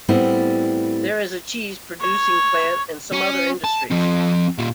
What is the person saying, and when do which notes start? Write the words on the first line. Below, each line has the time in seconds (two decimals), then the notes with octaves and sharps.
There is a cheese producing plant and some other industries.
0.09 A2 G3 B3 C4 E4
2.00 C#5
3.13 C#4
3.64 A5
3.91 F3 C4
4.59 A#2 G3